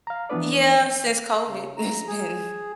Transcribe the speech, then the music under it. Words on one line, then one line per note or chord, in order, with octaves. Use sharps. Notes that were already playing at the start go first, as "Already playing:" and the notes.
Yeah, since COVID, it's been
F5 A#5
E3 F3 B3 D4 B4 D5
C#3
A#5
G#4